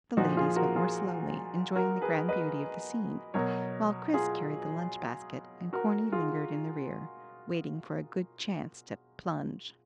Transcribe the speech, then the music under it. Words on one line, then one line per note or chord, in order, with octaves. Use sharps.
The ladies went more slowly, enjoying the grand beauty of the scene, while Chris carried the lunch-basket, and Corny lingered in the rear, waiting for a good chance to "plunge."
A#2 F3 D#4 F#4
F4 G#4
F#4 A#4
F4 G#4
F#4 A#4
G#4 B4
B4 D#5
B2 F#3 A#4 C#5
F4 G#4
F#4 A#4
F4 G#4